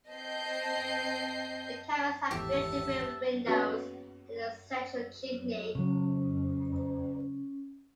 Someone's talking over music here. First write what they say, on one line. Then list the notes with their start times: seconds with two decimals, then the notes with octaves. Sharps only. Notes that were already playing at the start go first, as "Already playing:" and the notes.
The cabins have built-in windows and a central chimney.
0.11 C4 D#5 A5 G6 C7
2.31 G#1 E2 A2 G4 E5 A5
3.46 A#3 B3 C#4 F#4 G#4 B4
5.75 C#3 F#3 C#4